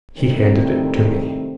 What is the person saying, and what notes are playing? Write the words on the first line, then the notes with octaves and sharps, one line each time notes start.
He handed it to me.
C3 D#3 E3 G3 A3 C4